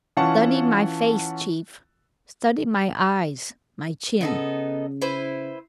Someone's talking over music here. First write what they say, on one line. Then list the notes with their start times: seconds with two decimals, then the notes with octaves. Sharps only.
Study my face, Chief--study my eyes, my chin.
0.17 E3 C#4 F4 F#5 A5 C#6
4.21 C#3 B3 D#4 A4
5.02 E4 B4 C5